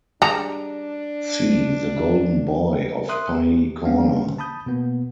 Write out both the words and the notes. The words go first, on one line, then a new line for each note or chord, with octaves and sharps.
See The Golden Boy of Pye Corner.
G3 G#3 D4 A5 A#5
A#4 E5 C6 D#6 F#6
G4
G3 G#3 A#3 C#4 D4 F5
A5 B5 D#6 G6
B2 A#3 B3